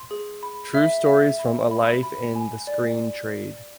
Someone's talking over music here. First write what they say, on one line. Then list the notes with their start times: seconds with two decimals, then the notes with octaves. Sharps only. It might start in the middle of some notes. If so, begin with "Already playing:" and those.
True Stories From A Life in the Screen Trade.
Already playing: C6
0.11 G#4
0.43 B5
0.75 E5
1.06 E5
1.39 B5
1.71 B5
2.03 B5
2.35 G#5
2.67 D5